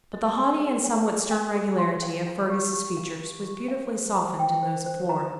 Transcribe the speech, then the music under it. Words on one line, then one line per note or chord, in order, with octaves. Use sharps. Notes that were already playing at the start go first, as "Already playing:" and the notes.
But the haughty and somewhat stern regularity of Fergus's features was beautifully softened in those of Flora.
D#5
G#5
G#4
G#5
G#4
G#5
G#4
C6
F5
F5
G4
G4
F5
G4
G4
F5
C5
C5
G5
C5
C5
A#5